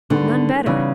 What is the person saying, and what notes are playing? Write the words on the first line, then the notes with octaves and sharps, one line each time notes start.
"None better."
G#2 D3 D#3 G3 B3
C#3 E3 G3 B3 D#4